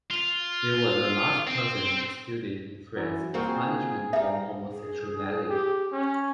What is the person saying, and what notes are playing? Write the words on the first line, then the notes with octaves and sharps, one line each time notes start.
They were the last persons executed in France as punishment for homosexuality.
F4
C4
E3 F#3
A#3 C4 F4 F#4 G#4
G3 D#4 E5 F5
G#4
G4
C#4